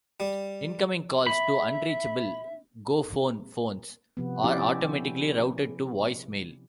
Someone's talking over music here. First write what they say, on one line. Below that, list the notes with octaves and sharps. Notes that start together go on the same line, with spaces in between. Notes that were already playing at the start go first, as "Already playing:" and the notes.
Incoming calls to unreachable GoPhone phones are automatically routed to voice mail.
G3
E5 B5
C3 F3 B3
F3 C4 C#4 E4 G4 D5